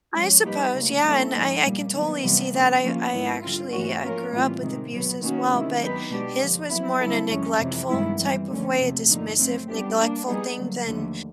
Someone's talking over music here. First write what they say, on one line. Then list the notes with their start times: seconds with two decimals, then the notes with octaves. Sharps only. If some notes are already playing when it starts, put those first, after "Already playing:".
I suppose yeah And I I can totally see that, I I actually I grew up with abuse as well, but his was more in a neglectful type of way, a dismissive, neglectful thing than
0.14 F3 G#3 C#4
0.44 G3 A#3 D#4 G4 B4
0.73 D2 C#3 F3 A#3
1.03 G3 A#3 C#4 E4 A4
1.33 G#2 F3 A#3 D#4
1.63 A#2 G3 A#3
1.93 D#3 F#3 B3
2.23 C3 E3 G3 B3
2.53 C#3 F3 A#3
2.83 F3 A#3 C#4 F4
3.13 G#2 D#3 G#3 C4 E4
3.42 D3 G3 C4 F4
3.72 G#2 E3 A3 C#4 F#4
4.01 F3 A#3 C#4 F4 A#4
4.31 A2 E3 G3 C4 F4
4.62 C3 D#3 G#3
4.91 B2 F#3 B3
5.21 D#3 F#3 A#3 C#4 F#4
5.50 C3 D#3 G#3 C#4 E4
5.80 F#3 B3 D#4 G4 B4
6.10 B2 G#3 B3 D4 G4
6.41 D#2 D3 F3
6.69 F#3 B3 E4
7.00 D3 G3 C4 E4 A4
7.29 F#2 C#3 E3 G#3 C#4
7.59 F2 C3 E3
7.89 G2 D#3 G#3 B3 E4
8.19 E3 G3 C4
8.49 D#2 D3 F3 A3 C#4
8.79 E2 C3 F3 A3
9.09 G2 D3 F3 A#3 D#4
9.39 F#3 A3 C4
9.69 G3 B3 D4 G4
9.98 G3 A#3 D4
10.27 G3 B3 D#4 G#4
10.58 D3 F#3 A#3
10.87 D#2 D3 F3 A3